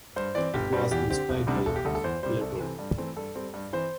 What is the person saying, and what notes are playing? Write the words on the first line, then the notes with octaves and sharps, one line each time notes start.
It was inspired by Plato.
G2 C5
E3 C4 D5
G1 G4
G2 G3 C4
E2 G4
D3 C4 G4
E1
D2 C3 G3 D4
E1 A4
G4
D2 D3 G3 A4
A4
E2 C5
C3 G3 C5
C2 A4
C3 E3 C4
G2
E3 A3 C4
G2 A4
G3 C4
G2
E3 C4 C5